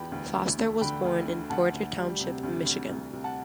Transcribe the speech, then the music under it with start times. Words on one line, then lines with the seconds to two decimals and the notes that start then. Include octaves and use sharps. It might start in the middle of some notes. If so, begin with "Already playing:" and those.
Foster was born in Porter Township Michigan.
Already playing: E2 G5 B5
0.12 D2
0.35 D2
0.58 A3
0.81 D3 G5 B5
1.05 D2
1.28 D2
1.50 D2 F#5 A5
1.73 D2
1.97 G3
2.20 C3
2.43 D2
2.66 D2
2.89 C2
3.13 C2
3.24 F#5 A5